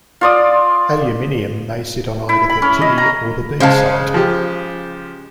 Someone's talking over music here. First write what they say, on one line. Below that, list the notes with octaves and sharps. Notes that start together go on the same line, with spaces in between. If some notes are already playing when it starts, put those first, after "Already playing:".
Aluminium may sit on either the "T" or the "B" site.
F4 D5 D#6
E4
B5
C#4
D#5
A#5
C#3 G#3 C5 F5 A5
F3 G4